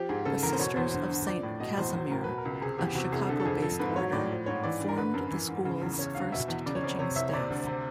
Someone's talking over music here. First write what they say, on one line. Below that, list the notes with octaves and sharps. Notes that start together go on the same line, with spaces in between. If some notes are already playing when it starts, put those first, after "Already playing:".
The Sisters of Saint Casimir, a Chicago-based Order, formed the school's first teaching staff.
Already playing: F3 G4
G#2 G#4
C#3 A4
E2 A#4
C5
B2 C#5
E2 C5
D3 C5
G2
F3 D5
A2
B2 D#5
E2 C5
F#3 C5
A2 A#4
B2 B4
A#4
C#2
C3 G#4
E2 G4
C3 F#4
C2 G#4
D3 A4
A4
F2 G#4
F3 A4
G#2 B4
F#3 C#5
A2 D5
F3
G#2 C#5
E3 D5
G2
A#4
D3 B4
F#2 A#4
E3
G#2
C#3
E2
C#3 C#5
D2 F5
B2 E5
E2
C#3 D5
C#5
F2 D5
C3 C#5
C2 E5
C#5
C3 D5
D2
C3